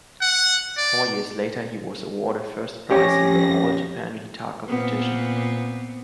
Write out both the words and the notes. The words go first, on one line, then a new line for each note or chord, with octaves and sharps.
Four years later, he was awarded First Prize in the "All Japan Guitar Competition".
F#5
D5
F2 C#4 G4 A#6
A#2 B3 C4